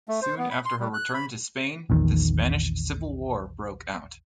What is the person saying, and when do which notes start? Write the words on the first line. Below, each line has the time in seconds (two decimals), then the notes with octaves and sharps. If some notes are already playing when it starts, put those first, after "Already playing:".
Soon after her return to Spain, the Spanish civil war broke out.
0.08 A3
0.22 C5
0.38 B3
0.51 B5
0.65 C6
0.80 G3
0.94 F#6
1.14 B5
1.90 A#1 E2 D#3